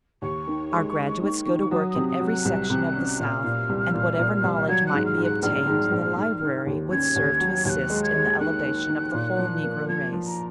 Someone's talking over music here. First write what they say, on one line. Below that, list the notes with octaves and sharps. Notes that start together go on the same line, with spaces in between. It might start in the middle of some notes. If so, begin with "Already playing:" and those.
Our graduates go to work in every section of the South, and whatever knowledge might be obtained in the library would serve to assist in the elevation of the whole Negro race.
D#2 C#6
D#3
G#3
G#3
D#3
D#3
F#3 D#6
D#6
C3
D#6
F#3
F#6
C2
C3
C#4
A#2 F6 F#6
A#2
C2
A#2
A#2
C2
F#3 G#6
F#6
G#2
F6
G#2
F#6
A#1 F6
G#2
A#1
D#3
D#3
D#2
C#4 G#6
D#2
F#3
D#2 F#6 G#6
G#3
G#6
G#3
D#3 F#6
D#3
D#3
A#2
F3
A#3
F3 G#6
F3
A#5